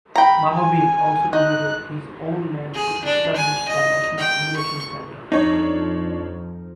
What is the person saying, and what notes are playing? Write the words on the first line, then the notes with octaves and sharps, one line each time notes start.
Mahabir also donated his own land to establish the National Innovation Center.
G5 A#5 B5
G#5
D#4 F#6
G#4
D4
G#5
D#5
G5
C#6
F2 F3 D4 D#4 C#5